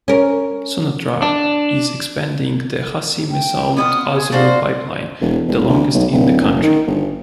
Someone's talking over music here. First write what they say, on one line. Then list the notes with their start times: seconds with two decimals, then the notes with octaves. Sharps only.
Sonatrach is expanding the Hassi Messaoud-Azrew pipeline, the longest in the country.
0.08 C#4 A#4
1.22 D4
3.31 G5
3.77 B3 E4 F4 D#6
4.12 G#4
4.32 D4 F#4 C5 F5
5.21 E1
5.47 E1
5.69 D2
5.95 B1
6.12 D1
6.41 F#1
6.63 D#3
6.87 G1